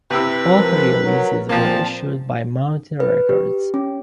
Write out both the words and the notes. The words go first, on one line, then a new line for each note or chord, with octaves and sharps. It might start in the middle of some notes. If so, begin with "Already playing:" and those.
All three releases were issued by Mountain Records.
C3 C4 E4 B4
F3 A#4
F#3 A#4
A#2 F3 A#3 C4 A5
B4
G4
C#4